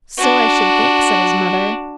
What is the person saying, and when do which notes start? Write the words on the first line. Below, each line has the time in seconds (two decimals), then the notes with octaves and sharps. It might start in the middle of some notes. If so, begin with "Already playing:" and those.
"So I should think," said his mother.
0.18 D4 F#4